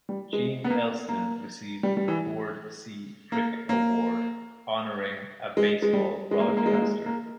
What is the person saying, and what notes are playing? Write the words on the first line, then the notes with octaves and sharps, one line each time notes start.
Gene Elston received the Ford C. Frick Award honoring a baseball broadcaster.
G3
G#3
B3
A#3
A#3
G3
G3
E3
A#3
A#3
G#3
G#3
G3
G#3
A#3
G#3
A#3
G#3
A#3
G#3
A#3